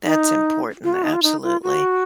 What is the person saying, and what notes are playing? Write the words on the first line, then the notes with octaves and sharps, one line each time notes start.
That's important, absolutely.
D#4
F4
F#4
D#4
F4
D#4
F4
F#4